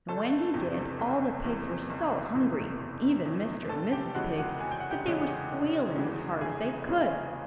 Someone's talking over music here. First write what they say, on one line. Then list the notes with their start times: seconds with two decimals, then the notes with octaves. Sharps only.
And when he did, all the pigs were so hungry, even Mr. and Mrs. Pig, that they were squealing as hard as they could.
0.09 F#1 A4 A5
0.54 E2 C3 E3
0.99 F#1
1.44 E2 C3 E3
1.90 F#1
2.34 E2 C3 E3
2.80 F#1
3.25 E2 C3 E3
3.69 F1 A4 A5
3.92 G4 G5
4.15 E2 C#3 E3 G#3 F#4 F#5
4.38 F#4 F#5
4.60 F1 G#5
4.71 G5
4.80 F#5
4.91 G4 G5
5.06 E2 C#3 E3 G#3
5.51 F1
5.95 E2 C#3 E3 G#3
6.40 F1 G#4 G#5
6.87 E2 C#3 E3 G#3